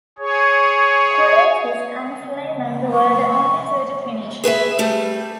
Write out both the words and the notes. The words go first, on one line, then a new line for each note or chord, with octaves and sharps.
Kolettis and Flameng were the only two to finish.
G#4 C#5
C#6
G#4 B4 C5 E5
G3 A3